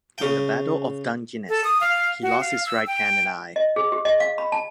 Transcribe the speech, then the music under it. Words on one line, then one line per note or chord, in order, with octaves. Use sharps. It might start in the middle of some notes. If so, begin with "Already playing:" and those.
In the Battle of Dungeness, he lost his right hand and eye.
C#3 G5
A4
D#6
F5
F#4
F5
E6
G5
D#5
G#4
G4
D#5
F5
B5
A5